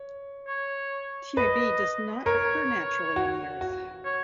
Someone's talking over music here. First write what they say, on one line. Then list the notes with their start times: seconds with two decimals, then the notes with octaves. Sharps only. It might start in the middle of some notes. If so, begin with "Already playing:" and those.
TiB does not occur naturally in the earth.
Already playing: C#5
0.48 C#5
1.37 B4 D#5
2.26 A#4 C#5
3.16 F#4
3.61 F#4
4.05 C#5